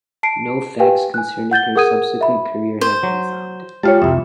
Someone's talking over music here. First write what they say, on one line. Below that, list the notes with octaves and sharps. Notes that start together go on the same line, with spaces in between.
No facts concerning her subsequent career have been found.
A5 C7 D7
G4 B4 F5 G5 G#5
G#5 F#6
F#5 G6 A6 G7
G#4 A#4 F#5 D#6 G#6 D#7
E5 B5
C5
F#3
G3 G#3 F4 C#5 F5 A5
C2 F2 E5